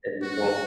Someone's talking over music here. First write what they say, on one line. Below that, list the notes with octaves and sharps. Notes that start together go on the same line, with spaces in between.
that'd be cool.
F#4